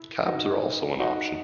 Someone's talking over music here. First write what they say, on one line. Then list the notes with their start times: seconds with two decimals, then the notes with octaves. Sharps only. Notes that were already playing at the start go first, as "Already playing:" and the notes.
Cabs are also an option.
Already playing: E4
0.26 D#4 F#4
0.99 D#4 F#4